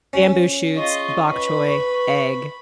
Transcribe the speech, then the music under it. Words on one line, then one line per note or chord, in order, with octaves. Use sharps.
Bamboo shoots, bok choy, egg
C#4
F4 G#4 D#5 C#6
B4 B5